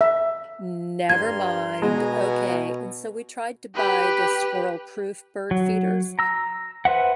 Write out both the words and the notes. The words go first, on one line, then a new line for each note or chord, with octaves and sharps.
never mind. Okay." And so, we tried to buy the squirrel proof bird feeders,
E5
G2 A#4 C6 G#6
B2 G#3 B3 G#5 A#5
G4 B4
F#3
A#5 E6
B4 C5 E5 F#5